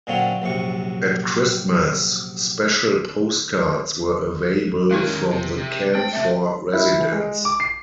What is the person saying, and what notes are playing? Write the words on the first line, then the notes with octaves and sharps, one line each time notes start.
At Christmas, special postcards were available from the camp for residents.
A#2 D3 F#3 C4 C#4 F4
A#1 F#2 C3 C#6
D#3 G#3 C#4 E4 A#4
C3
C3
C4 C5 G5
C3 A3 C4 E5
E4
E3
G#3
D6
C7